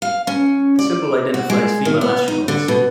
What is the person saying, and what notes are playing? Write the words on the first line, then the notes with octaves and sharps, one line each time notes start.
The symbol identifies female astronauts.
F5
C#4
D5
F#4
G#3
D#3
B3
D#4
D3
B2